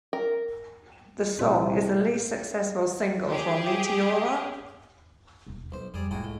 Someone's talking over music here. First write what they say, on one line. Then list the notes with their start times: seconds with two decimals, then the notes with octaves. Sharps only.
The song is the least successful single from "Meteora".
0.13 A#4
1.39 C2 A#2
3.29 G4 G#4
5.47 D#1 B2
5.72 B1 F#3 C5
5.94 F2 G3 G#4 D5
6.11 C2 A2 G#3 F4 F#4 G#4 G5
6.24 A3